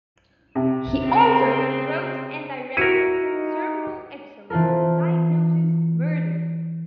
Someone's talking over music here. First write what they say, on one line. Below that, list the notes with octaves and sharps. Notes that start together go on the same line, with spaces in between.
He also wrote and directed several episodes of "Diagnosis: Murder".
C3
C#3 C4
E4 F#4 A#4 C#7 D#7
D#4
E3 C4 F4 A4 A#4